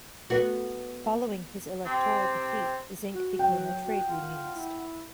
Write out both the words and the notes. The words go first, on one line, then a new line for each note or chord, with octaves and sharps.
Following his electoral defeat, Zinck became a trade unionist.
B3 F#4
C3 C4
F#4
F#3 G5
F#4
F4 F#5
E4